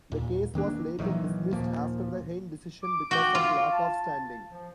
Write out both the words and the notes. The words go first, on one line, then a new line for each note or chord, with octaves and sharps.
The case was later dismissed after the Hein decision because of lack of standing.
D#2 A#2
E1 D#3 A#3 D4
A#1 D#3 E3 F#3
D#2 A#2 F3 A#3
D6
F#4 G5
F4
A5
F3